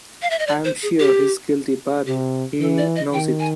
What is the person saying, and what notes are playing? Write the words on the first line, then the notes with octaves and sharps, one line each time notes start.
I'm sure he's guilty but... he "knows" it.
F5
E5
D#5
D5
C5
G#4
G4
C3 G4
E3 A4
D5
D#5
D#3 G5
G#5